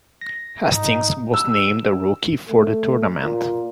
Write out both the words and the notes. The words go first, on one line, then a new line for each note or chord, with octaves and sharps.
Hastings was named Rookie of the Tournament.
A#6
G#2 D#4
E6
A3
A#2